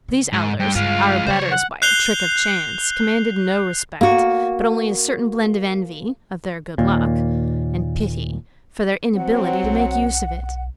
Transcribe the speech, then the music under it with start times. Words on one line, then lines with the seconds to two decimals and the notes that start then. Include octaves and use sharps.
These elders, our betters by a trick of chance, commanded no respect, but only a certain blend of envy--of their good luck--and pity--for their inability to make use of it.
0.08 C#3
0.33 G#2
0.60 G2 G5
0.75 G2 G#3 F4 F5
1.27 C#3 F#3 C5 C#5
1.51 F#5
1.82 F#6 G6 C7 F7 G7
4.01 A#3 F#4
6.78 D#2 A#2
9.14 F#3 C4 F#5
9.64 B1